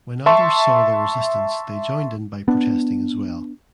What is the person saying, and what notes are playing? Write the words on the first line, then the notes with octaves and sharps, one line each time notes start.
When others saw their resistance they joined in by protesting as well.
E5 A5 C6 C#6
B3 D4